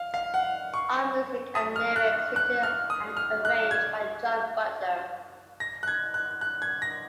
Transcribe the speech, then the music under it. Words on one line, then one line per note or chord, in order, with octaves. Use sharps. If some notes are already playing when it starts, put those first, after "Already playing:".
All music and lyrics written and arranged by John Butler.
Already playing: F5
F5
F#5
C#6
D#6
F6
F#6
F#6
F6
D#6
F6
F#6
G#6
A#6
F#6
G#6
F#6
F#6
G#6
A#6